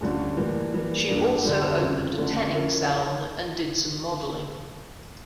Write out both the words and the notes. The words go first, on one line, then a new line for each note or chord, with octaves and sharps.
She also opened a tanning salon and did some modeling.
D2 D3 G3 C#4 F4
A2 E3 G3 A#3
E3 G3 A#3
G2 F3 A#3 D4
E2 D3 G3
F2 C#3 F3
F2 D3 A3 C#4
F3 C#4 E4 A#4 E5